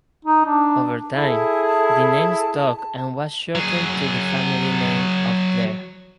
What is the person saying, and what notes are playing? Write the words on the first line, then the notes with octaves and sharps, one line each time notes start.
Over time, the name stuck and was shortened to the family name of Clair.
D#4
D4
E4 G#4 A4 A5
F#3 G#4